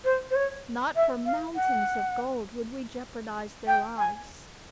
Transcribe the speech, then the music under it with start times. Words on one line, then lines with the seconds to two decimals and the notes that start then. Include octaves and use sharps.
Not for mountains of gold would we jeopardize their lives.
0.05 C5
0.31 C5
0.36 C#5
0.96 E5
1.26 F5
1.56 F#5
3.67 G5
3.98 G#5